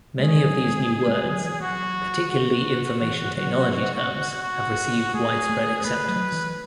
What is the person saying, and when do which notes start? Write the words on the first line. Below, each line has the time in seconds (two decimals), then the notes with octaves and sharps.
Many of these new words, particularly information technology terms, have received widespread acceptance.
0.19 G#3 G#4
0.43 F#3
0.66 G#3
0.90 A3
1.08 G#3
1.25 F#3
1.43 E3
1.61 F#3 F#4
2.31 F#4
3.02 E3
3.37 F#3
4.43 F#4
5.14 A3 G#4
5.49 A3
5.85 A3 B4
6.08 F#3
6.32 E3